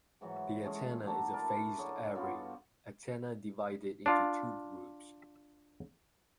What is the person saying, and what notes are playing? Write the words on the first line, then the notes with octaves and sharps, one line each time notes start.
The antenna is a Phased Array antenna divided into two groups.
G#2 E3 F#3
G#3 A3 C#4 G#4
D4 F#4 A4 A#5
E4 A#4 D5 A5
F#2 D3 G#4 C#5
G2 B3 F4 F#4
D4 F4